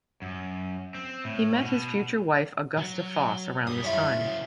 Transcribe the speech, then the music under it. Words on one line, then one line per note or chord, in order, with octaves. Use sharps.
He met his future wife Augusta Foss around this time.
F#2
C4
A2
B2
F#3
F#2 G3 D#6
C#4 E4 F4
C#3 F#3